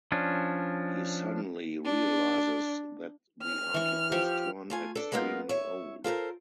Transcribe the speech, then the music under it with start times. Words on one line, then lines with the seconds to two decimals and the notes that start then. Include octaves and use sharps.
He suddenly realizes that the articles turn extremely old.
0.12 F3 C#4 D4
1.85 D4
3.43 F6
3.74 E3 C#6
4.12 F3 G4 C#6
4.70 A3 F4 G#5
4.95 D4 A4
5.12 G#3 A#3 B3 D#4 F4
5.49 C#5 E5
6.04 F4 A4 A#4 C5